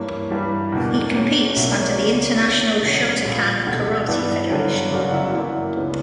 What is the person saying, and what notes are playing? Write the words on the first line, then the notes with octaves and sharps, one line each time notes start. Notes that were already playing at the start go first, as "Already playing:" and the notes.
He competes under the International Shotokan Karate Federation.
Already playing: G2 E3 G3 A#3 C#5
G2 E3 G3
E2 B2 A#3 D4
E2 B2 A#3 C#4
B1 B2 F#3 A#3 C#4 E5
D5
C#5
D5
C#2 B2 A#3 C#4
E2 D3 A#3 C#5
D5
C#5
E1 D2 D3 F#3 C#4
A#1 A#2 G3
E1 D2 D3
G2 E3 B3 D5
G2 D3 F#3
F#1 F#2 C#3 F#3 D5
D5
F#5
E4 E5
F#4 F#5
F#2 E3 A#3 D5
C#2 C#3 E3 B3 D4